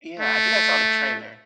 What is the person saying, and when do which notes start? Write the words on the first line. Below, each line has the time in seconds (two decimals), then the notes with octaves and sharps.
Yeah, I think I saw the trailer.
0.19 A3